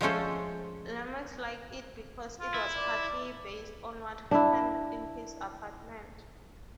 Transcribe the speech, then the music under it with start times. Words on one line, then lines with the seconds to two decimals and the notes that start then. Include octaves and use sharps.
Lomax liked it because it was partly based on what happened in his apartment.
0.01 F3 G#3 A3 C#4 A4 C5
2.40 F4
2.54 E4
2.76 D5
4.31 D4 E4